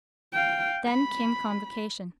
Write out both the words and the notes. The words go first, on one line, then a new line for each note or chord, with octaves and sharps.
Then came Convocation.
F5 G5
B5